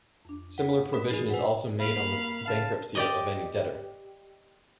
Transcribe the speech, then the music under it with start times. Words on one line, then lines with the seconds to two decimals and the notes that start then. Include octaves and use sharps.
Similar provision is also made on the bankruptcy of any debtor.
0.25 F2 D4
0.58 F#5
0.93 A3 A#4 B5
1.10 E3 D#4 F4 F#4 G#4
1.30 B2 B4 F#5 G#5
1.80 A#3 F5 B5
2.47 C#3 F5 A5
2.95 G4 D5 D#5